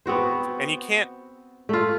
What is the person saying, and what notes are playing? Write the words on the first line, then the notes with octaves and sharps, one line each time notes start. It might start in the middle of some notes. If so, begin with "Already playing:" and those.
And you can't
B3 C4 F#4 C5
A3 F4